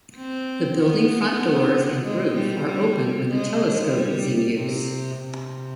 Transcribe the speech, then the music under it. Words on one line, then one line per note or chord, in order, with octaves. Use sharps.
The building front doors and roof are opened when the telescope is in use.
C4
B3
G#3
G3
G3
G#3
G3
C3
C3